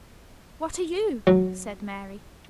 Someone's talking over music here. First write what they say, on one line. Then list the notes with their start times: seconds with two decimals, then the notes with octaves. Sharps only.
"What are you?" said Mary.
1.27 F#3